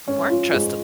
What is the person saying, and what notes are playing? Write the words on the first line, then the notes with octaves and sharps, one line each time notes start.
weren't trusta
G#2 C#4
F3 F4
G#2 G#4